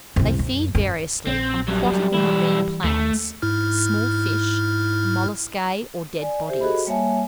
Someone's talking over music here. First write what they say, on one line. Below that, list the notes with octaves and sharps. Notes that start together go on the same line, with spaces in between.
They feed variously, on aquatic or marine plants, small fish, molluscae, or dead bodies.
C2 F2
F#2
F#2
A#1 C4
G2 F#3 G3
B1 E3 E4
D#2 A3
G#2 E4 F6
D5 G#5
G4 C5 E5
F#4 G#4 A4 D#5 B5
G3 A#3 C#5 E5 G#5 A5